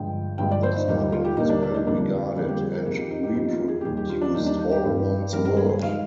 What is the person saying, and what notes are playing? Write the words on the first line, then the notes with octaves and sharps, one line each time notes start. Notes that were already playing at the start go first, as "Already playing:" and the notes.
This model is well regarded and reproduced all around the world.
Already playing: G2 D3 F3 G#3 G5
G2 D3 F3 G#3 G5
D5
C5
D#4
D#2 D3 G3 A#3 D#4
D#4
F4
G4
D#2 D3 G3 A#3 D#4
D4
D4
D#4
F2 D3 G3 A#3 D4
F2 D3 G3 A#3
G4
G#4
A#4
F2 D#3 A#3 G#4
G4
D#4
G4
F2 D#3 A#3 D#4
F4
G#4
G4
D#2 D#3 G3 G#4
G4
F4
D4
D#2 D#3 G3 D#4
D4
D#4
G4
G2 D#3 G3
G2 D#3 G3 A#4
A#4
G#4
G#4
D#3 G#3 F5